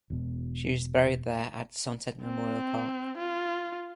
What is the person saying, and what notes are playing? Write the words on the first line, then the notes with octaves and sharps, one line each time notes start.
She is buried there at Sunset Memorial Park.
E1 B2
C4
F4